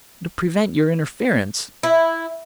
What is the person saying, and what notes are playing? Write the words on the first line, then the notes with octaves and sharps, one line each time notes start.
"To prevent your interference."
E4